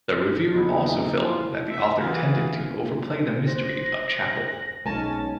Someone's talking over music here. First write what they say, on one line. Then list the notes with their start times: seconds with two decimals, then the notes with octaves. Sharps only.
The reviewer also felt that the author tended to overplay the mystery of chapel.
0.48 F#1 E2 B3 D#4
1.21 F3 E4 F4
1.70 E5
1.99 E3 G#4 F5 F#5
3.47 C5 F#6 A#6
4.86 B1 G#3 C#4 D#4 G#5 A5 A6